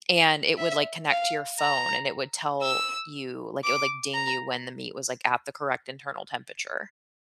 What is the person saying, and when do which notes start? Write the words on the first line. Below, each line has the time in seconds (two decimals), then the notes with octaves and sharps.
and it would, like, connect to your phone, and it would tell you like, it would, like, ding you when the meat was, like, at the correct internal temperature,
0.58 E5
1.09 F5
1.60 A#5
2.62 E6
3.64 D6
4.14 A#5